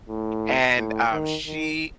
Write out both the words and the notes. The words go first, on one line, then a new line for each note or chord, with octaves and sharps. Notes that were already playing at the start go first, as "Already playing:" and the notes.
and, um, she
A2
A2
D#3
D#3